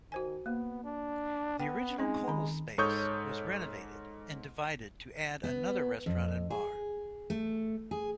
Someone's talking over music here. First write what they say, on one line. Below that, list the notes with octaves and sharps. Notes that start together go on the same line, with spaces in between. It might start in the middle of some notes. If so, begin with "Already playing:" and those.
The original Cole's space was renovated and divided to add another restaurant and bar.
D#3 F#4 C5 G#5
A#3 B3
D4
B3 G5
G#3 C4 C#4 D#4
D#3 B5
G#2 A4 C#5 C#6 D#6 G6
B3
F2
G#4
A3
G#4